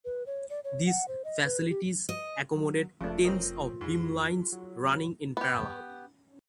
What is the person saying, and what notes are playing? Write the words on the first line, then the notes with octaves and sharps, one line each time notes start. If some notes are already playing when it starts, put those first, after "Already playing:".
These facilities accommodate tens of beamlines running in parallel.
B4
C#5
D5
C#5
F#5
C5
D#5
B4
G4
D#5
F#3
F1 C#3 F3 A3 D4
C4 C#4 F4 A#4 D#5
F2 G#2 G#3
F#3
B3 G4